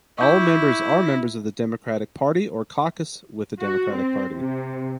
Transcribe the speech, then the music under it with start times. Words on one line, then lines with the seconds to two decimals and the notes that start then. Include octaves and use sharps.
All members are members of the Democratic Party or caucus with the Democratic Party.
0.18 E4 C#6 D6 G6
3.61 F#4
3.94 C4
4.37 C3